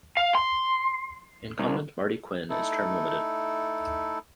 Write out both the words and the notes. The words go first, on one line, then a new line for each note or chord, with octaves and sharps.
Incumbent Marty Quinn is term limited.
F5
C6
C2
A3 D#4 E4 A4